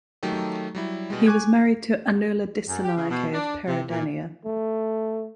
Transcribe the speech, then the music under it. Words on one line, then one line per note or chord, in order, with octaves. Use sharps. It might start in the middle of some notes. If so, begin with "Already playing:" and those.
He was married to Anula Dissanayake of Peradeniya.
D#3 F#3 A3 D#4 G4 A4
F#3 G3 E4
B2 G3 G#3
G#5 C#6 D6 F#6 G#6
F#2
G4
C#3
B2
D4
C3
A#2
A3